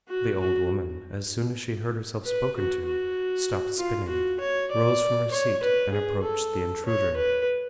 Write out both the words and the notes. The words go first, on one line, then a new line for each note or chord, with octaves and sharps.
The old woman as soon as she heard herself spoken to stopped spinning, rose from her seat and approached the intruder.
F#4
F#4
B4
F#4
F#4
F4
F#4
C#5
D5
C#5
B4
G#4
A4
C#5
B4